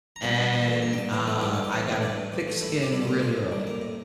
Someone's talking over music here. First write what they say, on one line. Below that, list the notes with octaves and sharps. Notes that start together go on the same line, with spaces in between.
and, ah, I got a thick skin really early,
A#5
G2 A5
G2
E3
A3
G2 A#5
G5
G2 A5
E3 F5
A3 A4
G2 G4
G2 A4
G4
E3
A3
G2 D4
G2
E3
A3
A2 E4
A2
G4
G3 E4
F4
A#3
A2 F4
A2
G3
A#3
A2